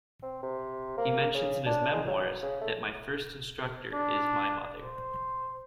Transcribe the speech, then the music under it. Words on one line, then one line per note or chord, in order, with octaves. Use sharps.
He mentions in his memoirs that "my first instructor is my mother".
C4
C3
A#3
C#3
D4
G#3
F#3
C#3
A3
D4
C5